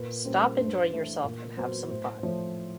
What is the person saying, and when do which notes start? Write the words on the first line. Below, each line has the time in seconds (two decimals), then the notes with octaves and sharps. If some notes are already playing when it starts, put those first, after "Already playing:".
"Stop enjoying yourself and have some fun".
Already playing: A#2 B4
0.25 G3 A#3 C#4 C5
0.57 G2 C5
0.91 E3 A3
1.24 A#2
1.57 F#3 B3 C5
1.90 A2 C5
2.18 C5
2.23 F3 A3 C#5